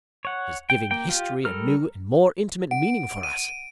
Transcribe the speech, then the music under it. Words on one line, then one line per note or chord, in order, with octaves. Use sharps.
It is giving history a new and more intimate meaning for us.
C#5 F#5
G5
A#3 G5
F4 G4
G3 A4 A#4 F6
F#5 D7
D#7